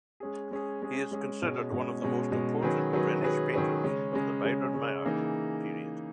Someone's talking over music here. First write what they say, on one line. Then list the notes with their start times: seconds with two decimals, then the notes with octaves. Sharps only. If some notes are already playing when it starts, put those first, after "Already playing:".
He is considered one of the most important Rhenish painters of the Biedermeier period.
0.20 G#3 C#4 G#4
0.51 G#3 C#4 G#4
0.82 G#3 C#4 G#4
1.11 G#3 C#4 G#4
1.42 B2 G#3 C#4
1.72 B2 G#3 C#4
2.02 B2 G#3 C#4
2.32 B2 G#3 C#4
2.62 D#3 F#3 C#4 G#4 B4
2.93 D#3 F#3 C#4 G#4 B4
3.23 D#3 F#3 C#4 G#4 B4
3.53 D#3 F#3 C#4 G#4 B4
3.83 C#3 G#3 C#4
4.13 C#3 G#3 C#4
4.44 C#3 G#3 C#4
4.74 C#3 G#3 C#4
5.04 C#3 E3 A#3 D#4 G#4